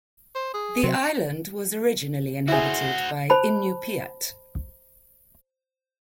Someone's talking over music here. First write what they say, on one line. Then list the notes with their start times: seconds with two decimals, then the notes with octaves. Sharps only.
The island was originally inhabited by Inupiat.
0.35 C5
0.54 G#4
0.83 C3 F#3 C4
2.48 E4 F#4 G#4 C5
3.30 C5 A5 B5